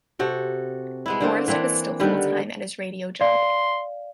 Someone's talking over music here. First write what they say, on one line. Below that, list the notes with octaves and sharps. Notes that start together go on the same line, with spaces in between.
Forrest was still full-time at his radio job.
C3 F#4 A4
G#3 B3 E4
D3 A#3 C4
E3 A#3 C4 D4
D3 D#3 G3 B3
D5 F5 C6